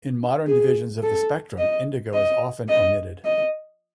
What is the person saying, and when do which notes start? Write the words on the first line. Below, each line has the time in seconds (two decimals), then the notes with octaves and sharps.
In modern divisions of the spectrum, indigo is often omitted.
0.47 G#4
1.03 A4
1.58 D#5
2.14 D#5
2.69 D#5
3.25 D#5